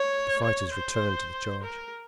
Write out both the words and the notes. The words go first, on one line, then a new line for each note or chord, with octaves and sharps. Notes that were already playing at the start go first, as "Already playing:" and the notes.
The fighters returned to the charge.
Already playing: C#5
C#5
C5
A#4